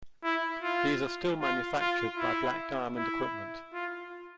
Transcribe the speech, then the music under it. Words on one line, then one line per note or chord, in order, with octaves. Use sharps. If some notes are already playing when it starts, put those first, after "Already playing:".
These are still manufactured by Black Diamond Equipment.
E4
F4
F4
F4
E4
E4
F4